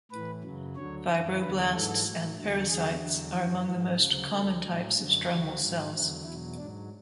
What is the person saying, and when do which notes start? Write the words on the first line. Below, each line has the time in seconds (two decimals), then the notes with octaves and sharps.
Fibroblasts and pericytes are among the most common types of stromal cells.
0.11 A2 E3 B4
0.43 F#2 C#3 F#3
0.76 D2 D3 F#3 C#5
1.08 F#2 E3
1.41 E2 D3 F#3 B4
1.73 G#2 E3 A4
2.05 A2 F#3
2.37 E2 D3 F#3
2.69 E2 D3 F#3 G#4
3.01 E2 D3 F#3
3.34 F#2 E3 F#4
3.66 G#2 E3
3.99 D2 C#3 F#3
4.31 D2 D3 F#3 A4
4.63 A2 F#3
4.95 F#2 D3 F#3
5.27 D2 D3 F#3 F#4
5.60 G#2 F#3
5.92 E2 D3 F#3
6.24 E2 B2 F#3 E4
6.57 G#2 F#3 D4